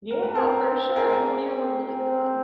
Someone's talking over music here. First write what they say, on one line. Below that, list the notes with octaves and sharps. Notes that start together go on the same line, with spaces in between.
Yeah, for sure. I hope you have a really good one.
A#4
B4
C4 A#4 C5
G#4 A#4
C4
C4